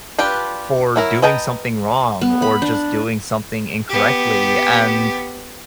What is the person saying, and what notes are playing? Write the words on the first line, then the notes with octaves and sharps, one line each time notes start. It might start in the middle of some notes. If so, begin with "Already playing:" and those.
for doing something wrong or just doing something incorrectly and
D4 F4 G4 B4
F#3 E4 A#4
B4 D#5 G5 A5 A#5
B3
B5
D4
B3 G4